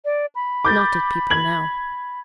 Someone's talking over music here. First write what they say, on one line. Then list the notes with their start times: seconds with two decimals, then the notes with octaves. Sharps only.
"Not eat people now."
0.05 D5
0.35 B5
0.65 D6 G6 A6
1.30 G#6 F#7